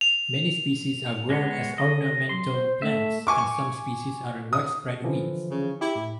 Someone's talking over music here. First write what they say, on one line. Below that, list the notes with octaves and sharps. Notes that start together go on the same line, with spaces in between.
Many species are grown as ornamental plants, and some species are widespread weeds.
F7
G#3 B3 C#5
D3 D#5
F#3 C6
C5
A3 E5
G#5 C#6 D6
D#6
D3 E3 F3
C#3
E4 G4
A2